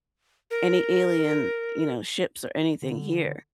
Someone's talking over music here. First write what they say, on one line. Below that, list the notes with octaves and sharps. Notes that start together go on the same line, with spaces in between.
any alien, you know, ships or anything here.
A#4
D3